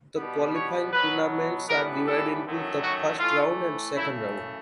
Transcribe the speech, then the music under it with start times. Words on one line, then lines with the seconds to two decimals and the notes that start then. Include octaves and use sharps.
The qualifying tournaments are divided into the First round and Second round.
0.17 B2 G3 B3
0.55 C#5
0.93 B2 F#3 B3 B4
1.68 A2 E3 G3 B3 A#4
2.06 A4
2.43 F#2 D#3 F#3 A3
2.82 F#4
3.19 A2 E3 A3 F4
3.95 F#2 C#3 E3 A3 E4